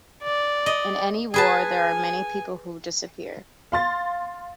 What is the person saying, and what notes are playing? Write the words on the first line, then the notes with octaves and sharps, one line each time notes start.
In any war there are many people who disappear.
D5
D#5
G#4 B4 G#5 A5
F5 C6 A6